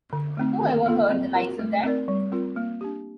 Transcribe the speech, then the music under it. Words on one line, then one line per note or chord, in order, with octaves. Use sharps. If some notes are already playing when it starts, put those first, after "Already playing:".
Who ever heard the likes of that?
D3
A3 C4 D#4
D#3
A#3 F4 A4
C4
F4 A#4
A3
C4 D#4 A#4 D5
G3
C4 F4 A#4
A#3
D4 G4